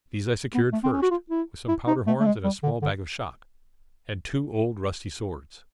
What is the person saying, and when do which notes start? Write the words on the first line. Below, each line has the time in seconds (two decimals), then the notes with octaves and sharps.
These I secured first, with some powder-horns and a small bag of shot, and two old rusty swords.
0.55 B3
0.73 A3
0.84 C4
0.93 C#4
1.02 F#4
1.11 F4
1.30 E4
1.68 E4
1.87 D#4
2.07 A3
2.20 A3
2.26 G#3
2.44 G3
2.63 D3
2.82 D3